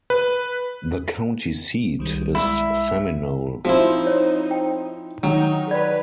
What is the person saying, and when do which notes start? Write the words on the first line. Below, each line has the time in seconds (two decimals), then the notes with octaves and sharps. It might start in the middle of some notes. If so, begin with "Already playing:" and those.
The county seat is Seminole.
0.10 B4
1.99 C2 D#3 G3
2.35 B1 G#3 E4 D5 E5
3.65 F3 C4 D#4 E4 F#4
4.07 C#5
4.51 G5
5.23 D#3 F#3 D#4
5.71 B4 D5 B5